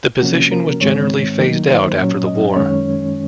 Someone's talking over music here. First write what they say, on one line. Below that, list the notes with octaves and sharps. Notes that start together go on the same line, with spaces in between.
The position was generally phased out after the war.
C3 F3 A#3 C#4 F#4
A#4
G#2 D#3 G#3 C4 C#5
D#3 F#3 A#3 D#4
C5
A#2 F#3 C#4 C#5
D#5
F#2 D#3 G#3 C#4 C#5